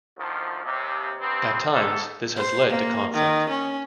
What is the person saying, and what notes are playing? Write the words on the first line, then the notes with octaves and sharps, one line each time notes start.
At times, this has led to conflict.
D2 D#3 F3
D#2 C3
G2 B3 C4
G#2 A4
C5
A#3
D#3
C#4